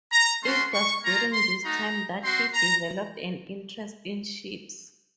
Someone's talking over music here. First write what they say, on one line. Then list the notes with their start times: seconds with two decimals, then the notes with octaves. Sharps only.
It was during this time that he developed an interest in ships.
0.13 A#5
0.42 A3 C#4 F#4 C6
0.73 C#6
1.03 A#3 F4 A#5
1.33 C6
1.63 A3 D#4 F#4 A#5
2.24 C4 F#4 C6
2.54 A#5